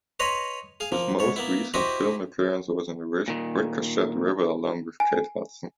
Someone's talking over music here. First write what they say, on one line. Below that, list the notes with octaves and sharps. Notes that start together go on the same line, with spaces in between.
His most recent film appearance was in "Ricochet River", along with Kate Hudson.
B4 C#5 D#5 A#5 C6
G#4 F5
F3 A#3
G#2 C#5
A#3 B3 E4
E4 F#4 G4 C5 D#5
A#2 D#3
G#5